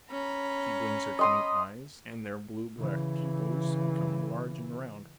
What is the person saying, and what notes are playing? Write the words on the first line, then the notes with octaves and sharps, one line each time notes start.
She blinks her cunning eyes, and their blue-black pupils become large and round.
C#4 A#5 B5
D#5 C6 D#6
C#3 E3